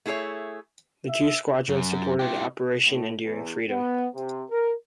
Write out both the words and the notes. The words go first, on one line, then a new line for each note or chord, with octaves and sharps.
The two squadrons supported Operation Enduring Freedom.
A3 E4 G#4 A#4 C#5
E5
F#2
E4 G4
A2
E2
B3
C3
A#4